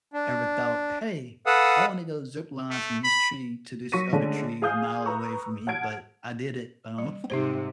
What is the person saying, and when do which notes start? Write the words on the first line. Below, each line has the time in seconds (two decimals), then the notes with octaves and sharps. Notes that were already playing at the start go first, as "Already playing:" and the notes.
ever, thought, "Hey, I wanna go zipline from this tree to this other tree a mile away from me," but I did it, um
0.13 D4
1.46 A4 B4 F5 F#5 D#6 E6
2.71 A3
3.04 B5
3.92 F#3 C#6 A#6 B6 D#7
4.13 D3 G#3 A3 C#4 D4
4.62 G#4 F5 G#5 D#6 G6
5.05 B4 A#5 C#6 E6
5.67 F#5 A5 F6 G#6 D7
6.98 G3
7.30 G#2 C3 D#4 G4 C5